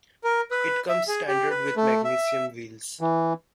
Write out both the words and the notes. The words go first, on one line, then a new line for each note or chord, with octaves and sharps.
It comes standard with magnesium wheels.
A#4
B4
E5
G#4
G4
B4
A3
E5
E3